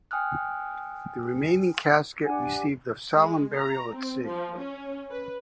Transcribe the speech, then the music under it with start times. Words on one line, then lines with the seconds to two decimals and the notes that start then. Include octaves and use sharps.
The remaining casket received a solemn burial at sea.
0.11 G5 G#5 D#6 F6 F#6
2.25 D4 G4 F#5 G#5
3.13 G#3
3.55 A#5
3.95 C4
4.26 F3
4.59 C#4
5.10 B4